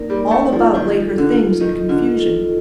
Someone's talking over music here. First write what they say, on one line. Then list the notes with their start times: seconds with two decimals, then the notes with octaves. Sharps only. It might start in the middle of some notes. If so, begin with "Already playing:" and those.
All about lay her things in confusion.
Already playing: A#3 D#4 A#4 D5
0.10 G3
0.16 D5
0.31 A3
0.45 D#4
0.53 F3
0.74 D#3 F4
1.03 A4
1.18 D3
1.32 F4
1.60 D#3 D#5
1.89 D3 F4
2.19 A4